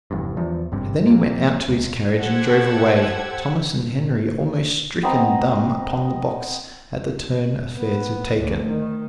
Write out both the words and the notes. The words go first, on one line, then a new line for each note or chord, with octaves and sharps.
And then he went out to his carriage and drove away, Thomas and Henry almost stricken dumb upon the box at the turn affairs had taken.
F1 E2 G2
E2 F3
G#1 G2 C3
F2 A#2
C#2
G4 A4 C5 F#5 E6 G#6
B3 C4 D#5 A#5
B3
D2
D#3